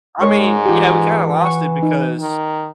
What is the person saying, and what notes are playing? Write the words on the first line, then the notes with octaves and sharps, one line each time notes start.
I mean, yeah, we kinda lost it because
G#2 G#3 A#4 C#5 C#6
E3 F4 G4
F#5 C#6
D#4
D#3